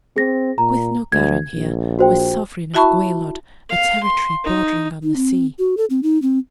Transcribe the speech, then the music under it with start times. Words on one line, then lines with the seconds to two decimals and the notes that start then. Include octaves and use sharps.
Gwyddno Garanhir was sovereign of Gwaelod, a territory bordering on the sea.
0.16 C4 G#4 A#6
0.58 A#2 A#5
1.12 D2 G#6
1.54 A#1
1.99 F#4 C5 G5
2.74 E4 F#4 E5 A5 B5 C#6
3.70 F5
4.04 C6
4.45 D#4
5.03 D#4
5.16 C4
5.59 F#4
5.77 A4
5.90 C4
6.03 D#4
6.22 C4